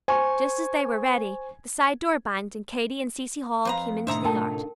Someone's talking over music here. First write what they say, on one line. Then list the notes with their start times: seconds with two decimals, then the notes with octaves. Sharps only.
Just as they were ready, the side-door banged, and Katy and Cecy Hall came into the yard.
0.08 C5 G#5 C#6
3.65 F2 C4 B4 F5 A#5
4.07 A2 C3 D#3 D4 D#4 C5 E5 A#5
4.24 A2 A3 F4 A#4 G5 A5